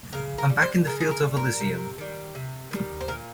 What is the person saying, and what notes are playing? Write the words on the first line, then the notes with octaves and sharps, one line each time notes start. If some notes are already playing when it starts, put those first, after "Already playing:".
I'm back in the fields of Elysium.
C#3 A#4
A#4
G3
C5
C#3 A#4
G#4
A#4
G3
A#4
C3
D#3 G3
C3
D#3 G3
C5
A#2 A#4